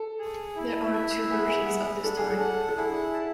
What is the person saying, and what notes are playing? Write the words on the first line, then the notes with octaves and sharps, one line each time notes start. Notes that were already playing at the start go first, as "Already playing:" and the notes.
There are two versions of the story.
Already playing: A4
G#4
E4
E5
B3 G#4
G#4
F#5
D4 A4
G#4
A4
F#5
A4
E4 G#4
A5